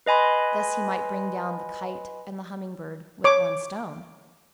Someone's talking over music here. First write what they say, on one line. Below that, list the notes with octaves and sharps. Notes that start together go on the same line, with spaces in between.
Thus he might bring down the kite and the humming-bird with one stone.
B4 D#5 G#5 B5 C6
C#5 D6